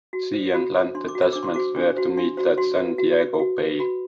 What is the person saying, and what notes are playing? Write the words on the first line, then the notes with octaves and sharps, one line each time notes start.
Sea and land detachments were to meet at San Diego Bay.
F#4
C5
F#4 B5
C5
D4 C6
D6
F#4
C5 E6
D4 D6
C6
F#4 C5 D6
D4
F#4 C5
D4 C6
F#4 C5
F#4 C6
B4
F#4
B4
F#4
B4
F#4 B5